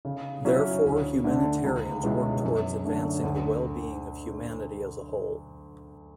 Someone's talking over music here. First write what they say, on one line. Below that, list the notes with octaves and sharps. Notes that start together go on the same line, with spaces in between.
Therefore, humanitarians work towards advancing the well-being of humanity as a whole.
C#3
F#3 C#4 E4
D2
D3 A3
C#2
B2 G#3 C#4 E4
F#2
D3 A3 C#4
D2